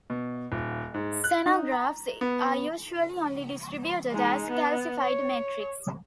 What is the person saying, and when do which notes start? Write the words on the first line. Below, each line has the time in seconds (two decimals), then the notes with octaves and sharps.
Xenografts are usually only distributed as a calcified matrix.
0.10 B2
0.52 D#1
0.94 G#2
1.24 F#6
1.46 D#4
1.72 A#5
2.21 B3
4.11 G#3 D#4
4.49 B3
4.99 C#5